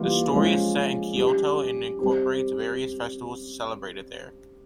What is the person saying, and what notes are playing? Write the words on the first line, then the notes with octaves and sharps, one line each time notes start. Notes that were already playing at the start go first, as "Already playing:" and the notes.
The story is set in Kyoto, and incorporates various festivals celebrated there.
Already playing: E3 G3 A#3 F4
F3 G#3 C#4 F4
G3 C#4 G4
G3 C4 G4